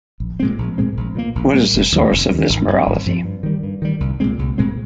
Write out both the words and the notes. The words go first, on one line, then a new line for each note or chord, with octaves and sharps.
What is the source of this morality?
A#1
A#2 G#3 C4
A#1
A#2 G#3 C4
A#1
A#2 G3 A#3
A#1
A#2 G3 A#3
F1
D#2 D#3
F1
D#2 D#3
G#1
G2 F3 C4
G#1
G2 F3 C4
G2
D#3 G3
G2
D#3 G3
C2
A#2 G#3 C4
C2
A#2 G#3 C4